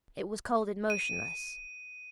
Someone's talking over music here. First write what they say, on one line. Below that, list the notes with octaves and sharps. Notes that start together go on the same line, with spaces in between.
It was cold and motionless.
D#7